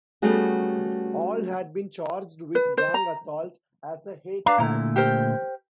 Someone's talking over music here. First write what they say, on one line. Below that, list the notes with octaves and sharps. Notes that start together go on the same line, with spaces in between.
All had been charged with gang assault as a hate crime.
G3 A3 B3 C#4 F#4 G#4
B4
C5
A#5
D4 B4 F5 A#5
A#2 D3 A3 E4 A#5
G4 A#4 C5